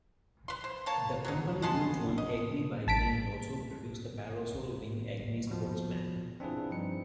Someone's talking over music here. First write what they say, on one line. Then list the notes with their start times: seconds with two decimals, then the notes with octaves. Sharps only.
The company built one Acme Biplane and also produced the parasol wing Acme Sportsman.
0.48 B4 C6
0.64 C5
0.86 A#3 C#5 A5
1.25 F#3 D#4
1.62 G#3 B3 A5 C6
2.18 D#5
2.87 A1 A5 B6 D7
5.47 B2 F3
6.40 C4 D4 E4 F4 G#4 B4
6.69 G2 F3 C4 D#4 C#7